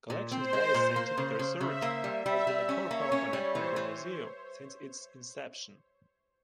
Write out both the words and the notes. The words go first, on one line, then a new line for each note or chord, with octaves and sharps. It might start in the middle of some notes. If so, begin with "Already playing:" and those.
Collections-based scientific research has been a core component of the museum since its inception.
A#2
C4 C5
G#3
A#2
A#3
C#3
C#3
C#3 E5
A#3
G3
G3 E5
G3
C#4
A#3 C#5
C#4
G3
E3 C5
E3